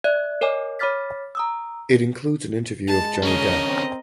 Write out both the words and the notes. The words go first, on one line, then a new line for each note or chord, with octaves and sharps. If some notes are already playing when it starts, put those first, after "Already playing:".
It includes an interview of Johnny Depp.
D5 E5 F#6 G#6
A#4 C#5 D#5 G#5 D6
C#5 B5 D6 F6 A6 B6
A#5 D#6 E6
G#3 A5
D3 C#4 A#4 D#5
C4